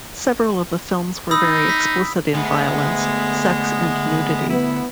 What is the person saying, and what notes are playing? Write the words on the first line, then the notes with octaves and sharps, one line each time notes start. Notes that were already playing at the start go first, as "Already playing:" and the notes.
Several of the films were very explicit in violence, sex and nudity.
D#4 B5 D#6 E6
B6
D2 G#3 B3
B3 E4